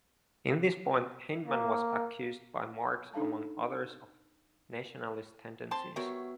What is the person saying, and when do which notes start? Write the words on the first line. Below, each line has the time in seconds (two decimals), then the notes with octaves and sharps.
In this point Hyndman was accused by Marx among others of nationalist tendencies.
1.47 A#3
3.14 D4 D#4 A4 F5 A5
5.71 C4 A5 C6
5.96 G3 B3 F#4 A#4 C#5 E5